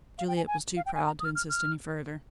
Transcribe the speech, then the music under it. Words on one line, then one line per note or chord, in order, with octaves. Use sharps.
Juliette was too proud to insist any further.
F5
G5
G#5
G#5
F5
G5
G#5
A#5
D#6
F6
F6
F6